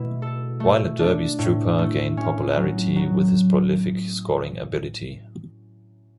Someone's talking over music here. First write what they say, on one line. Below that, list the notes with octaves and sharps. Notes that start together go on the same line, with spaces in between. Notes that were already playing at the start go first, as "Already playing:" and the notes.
While at Derby Strupar gained popularity with his prolific scoring ability.
Already playing: B2 A3 E4
A4
A3
D4
A2
A3
C#4
F#3
F#3